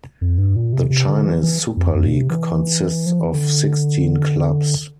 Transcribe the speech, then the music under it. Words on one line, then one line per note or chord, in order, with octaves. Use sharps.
The Chinese Super League consists of sixteen clubs.
F2
G2
A#2
C3
C3
D3
E3
E3
F2
F2
A#2
C3
E3
F3
E3
D3